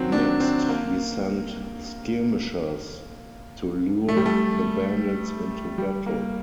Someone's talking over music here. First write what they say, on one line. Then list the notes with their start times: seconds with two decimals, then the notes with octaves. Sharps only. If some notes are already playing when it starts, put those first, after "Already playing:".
Next, he sent skirmishers to lure the bandits into battle.
Already playing: D#3 F#3 C4
0.12 D4
0.40 C4
0.69 A#3
4.09 A3
4.17 G3
4.26 A3
5.78 G3
6.06 A#3